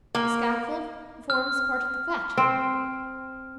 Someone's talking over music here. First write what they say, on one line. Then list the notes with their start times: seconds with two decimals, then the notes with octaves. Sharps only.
"The scaffold forms part of the fete."
0.15 A#3
1.30 F6
2.37 C4